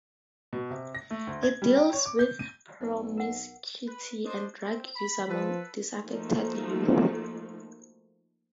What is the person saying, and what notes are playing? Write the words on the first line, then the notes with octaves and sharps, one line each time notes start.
It deals with promiscuity and drug use among disaffected youth.
B2
C3
A#6
A3
D2
G#6
G3
G5
C#5
D6
G6
D#7
B1
A#4 F#5
B4
D4 C5 D#5
C4
B5
F3 A4 B4
F3 A3 A#3 D#4 F#4 A4